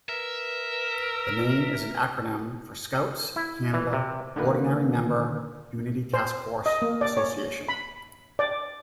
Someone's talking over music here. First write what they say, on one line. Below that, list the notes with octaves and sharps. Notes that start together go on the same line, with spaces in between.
The name is an acronym for "Scouts Canada Ordinary-member Unity Taskforce Association".
A#4 B4 E5
E4
E3
C3
D3 D#3 A#3 B4
C5
D#5
A#3
D5
C#5
B5
D5